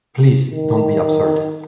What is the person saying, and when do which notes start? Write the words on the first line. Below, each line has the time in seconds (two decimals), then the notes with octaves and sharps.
Please, don’t be absurd.
0.50 D#3